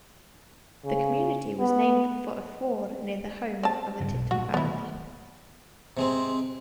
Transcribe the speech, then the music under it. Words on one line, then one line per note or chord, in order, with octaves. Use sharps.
The community was named for a ford near the home of the Tipton family.
C#3
B3
C4 A5
G2 C#3 F#3
B1 B2
A#2 F#3 A3 F#4
G2 D#3 F#3 B3 E4
C3 G#3 C4